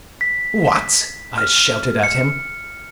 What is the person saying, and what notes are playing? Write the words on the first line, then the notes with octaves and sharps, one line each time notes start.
"What!" I shouted at him.
B6
F6
C#7